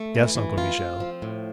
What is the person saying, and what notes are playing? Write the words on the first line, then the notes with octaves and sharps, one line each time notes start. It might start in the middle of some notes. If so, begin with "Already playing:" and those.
'Yes, Uncle Michel.
Already playing: A3
E3
E3
F4
C4
F3
A2